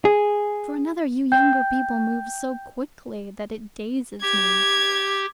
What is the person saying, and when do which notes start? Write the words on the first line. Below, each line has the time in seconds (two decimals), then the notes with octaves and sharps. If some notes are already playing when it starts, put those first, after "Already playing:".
For another, you younger people move so quickly that it dazes me.
0.05 G#4
1.32 G5 G6
4.22 G4 G#6